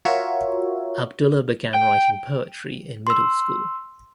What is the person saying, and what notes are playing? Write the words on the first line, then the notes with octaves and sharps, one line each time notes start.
Abdullah began writing poetry in middle school.
F4 F#4 A#4 C#5 E5
G5
C6 E6